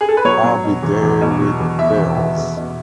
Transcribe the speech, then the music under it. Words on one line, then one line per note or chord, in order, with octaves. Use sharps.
I'll be there with bells!
G#4
A4
B4
F#3 C#5
F#3
B2
E2
E2
B2
F#3
E2
B2 E5
E2
E2
E2
B2